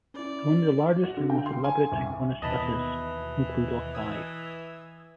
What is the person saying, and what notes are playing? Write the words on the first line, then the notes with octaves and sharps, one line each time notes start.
Only the largest and most elaborate iconostases include all five.
C#4 E4 D5
F#4
D3
G5
C6
G#5
C2
D#2 B2 E3 D#5 A5 B5
D#6 E6 G#6